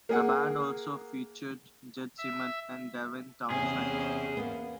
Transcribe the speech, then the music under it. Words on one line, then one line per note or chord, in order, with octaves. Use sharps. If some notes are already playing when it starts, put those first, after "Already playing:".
The band also featured Jed Simon and Devin Townsend.
A#3 G#4 F#5
E5
E2 C3 C#4 G#4 C5
A#3 B3